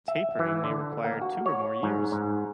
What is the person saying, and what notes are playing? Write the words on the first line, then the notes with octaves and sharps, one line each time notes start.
Tapering may require two or more years.
E5
E3
D3
A#3
F#4
C#5
G#2
G#2